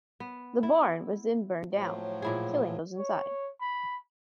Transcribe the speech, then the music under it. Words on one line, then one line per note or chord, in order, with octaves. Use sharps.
The barn was then burned down, killing those inside.
B3
E4
A2 F3 F#3
A#2 E4 G#4
C#5
B5